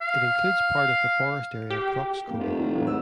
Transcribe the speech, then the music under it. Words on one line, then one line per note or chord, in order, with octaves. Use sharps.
It includes parts of the forest area Krokskogen.
F5
G4
F2 A#3
F1
E3 A3 F4
A1 F#3
G#2 E6